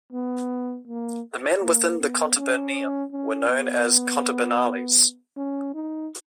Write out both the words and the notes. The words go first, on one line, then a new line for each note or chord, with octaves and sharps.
The men within the contubernium were known as "contubernales".
B3
A#3
A#3
B3
C#4
C#4
B3
C#4
D#4